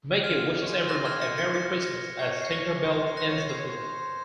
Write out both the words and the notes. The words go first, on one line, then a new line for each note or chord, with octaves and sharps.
Mickey wishes everyone a Merry Christmas as Tinker Bell ends the film.
F4 F6 G#6
D#4
C#5
D#4 G#4 C5
F#6 A#6
F6 G#6
A#6 C#7
A#6 C#7
A#6 C#7
A#6 C#7
F#4 A#4 C#5 G#6 C7
C#7
C7
F#6 A#6
C5
C5
F#6 A#6
C5
F#4 A#4 C#5
C5 G#6 C7
C#5
C5